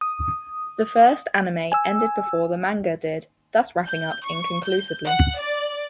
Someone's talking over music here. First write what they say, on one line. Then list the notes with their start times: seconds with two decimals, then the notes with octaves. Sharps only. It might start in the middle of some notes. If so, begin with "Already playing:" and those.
The first anime ended before the manga did, thus wrapping up inconclusively.
0.01 D#6
1.72 G#5 E6
3.86 G6
4.24 C#6
4.65 G6
5.08 F#5
5.38 D5